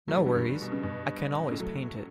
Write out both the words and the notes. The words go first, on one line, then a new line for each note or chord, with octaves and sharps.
No worries, I can always paint it.
F#3 A3
E3 G3
D3 F#3
G2
B2
C#3
G2 B2
A2 C#3
F#3 A3